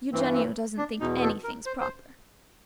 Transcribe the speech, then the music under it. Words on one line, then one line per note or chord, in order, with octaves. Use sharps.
"Eugenio doesn't think anything's proper."
G2 E3 C4
C4
D4
E2 B2 D#4
A4
A#4
C5
C5